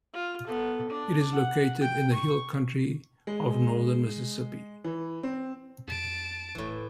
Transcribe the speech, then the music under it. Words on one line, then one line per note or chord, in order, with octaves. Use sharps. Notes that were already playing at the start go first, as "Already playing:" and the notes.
It is located in the hill country of northern Mississippi.
F4
B3 A4
D4
F#5
G5
C#6
G#3
E3
C4
F2 A5 D7
D#1 A2 E3